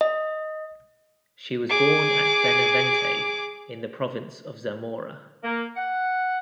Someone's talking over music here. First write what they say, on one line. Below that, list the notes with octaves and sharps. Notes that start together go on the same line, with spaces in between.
She was born at Benavente, in the province of Zamora.
D#5
G#4 D6
A#3
F#5